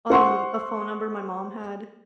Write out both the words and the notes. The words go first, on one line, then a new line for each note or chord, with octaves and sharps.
um, a phone number my mom had
C5 F#5 C6 C#6